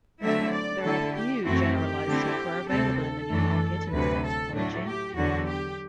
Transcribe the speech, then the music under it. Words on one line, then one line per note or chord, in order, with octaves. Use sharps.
There are few generalized software available in the new market in the said topology.
D3 F#3 A3 C4 E4 E5
D5
D3 A3 E4 A4
G4
F#2 E3 A3 C4 E4 F#4
G4
D3 A3 C4 E4
D2 C3 G3 C4 A4
A4
F#2 E3 A3 D4
D2 C3 F#3 B4
A4
A2 F#3 A3 D4
G4
E2 D3 F#3 F#4
G4